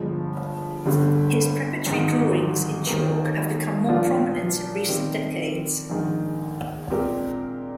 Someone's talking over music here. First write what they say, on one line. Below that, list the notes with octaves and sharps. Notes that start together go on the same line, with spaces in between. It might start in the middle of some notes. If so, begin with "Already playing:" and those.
His preparatory drawings in chalk have become more prominent in recent decades.
Already playing: G1 G2 F3 G#3
G1 G2 D3 G3
G#1 G#2 D#3
D#2 D#3 A#3
A#2 F3 A#3 D4 F4
D#3 G3 C4 G4
A#1 G#2 D#3
A#2 G#3 C4 G4 A#4